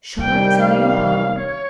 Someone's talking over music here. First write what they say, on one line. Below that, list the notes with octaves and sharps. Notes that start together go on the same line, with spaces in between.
Shall I tell you how?
C2 C3 D#3 G3 G5
F5
C#5